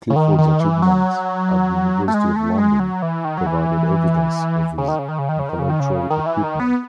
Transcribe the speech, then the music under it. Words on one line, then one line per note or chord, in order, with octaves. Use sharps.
Clifford's achievements at the University of London provided evidence of his intellectual equipment.
C#3
D#3
D#3
E3
F#3
A3
G#3
A3
G#3
F#3
E3
D#3
F#3
E3
C#3
D#3
C#3
D#3
C#3
D#3
C#3
D#3
C#3
D#3
C#3
D#3
E3
D#3
B3